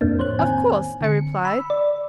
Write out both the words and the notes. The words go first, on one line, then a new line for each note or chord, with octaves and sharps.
'Of course,' I replied.
F2 A2 A#3 C4 D4
F3 C5 C#5 F#6
D#3 C4 G#5
D3 C#7
B5 E6
D5